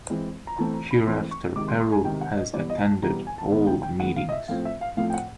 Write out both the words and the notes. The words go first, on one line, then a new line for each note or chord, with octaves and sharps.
Hereafter Peru has attended all meetings.
E3 G#3 C4
A#5
E3 A3 C4 A5
A#5
B5
E3 A3 C4 C6
C#6
C3 D#3 G#3 D6
C6
C6
G#5
C3 D#3 G#3 G5
F#5
D#5
E3 G3 B3 D5
D#5
A5
E3 G3 B3 A#5
G#5
A5
D#3 G#3 B3
G5
G5
D#3 G#3 B3 F#5
F5
D#5
E5
A2 F3 A3 C4 F5
E5
F5
A2 F3 A3 C4 F5
G5
F#5